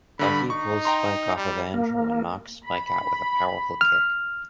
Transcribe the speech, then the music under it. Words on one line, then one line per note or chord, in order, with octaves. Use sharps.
Buffy pulls Spike off of Andrew and knocks Spike out with a powerful kick.
G2 D3 B5
D#4 C#6
G5 A#5 C6
G3
A#3
B5
F6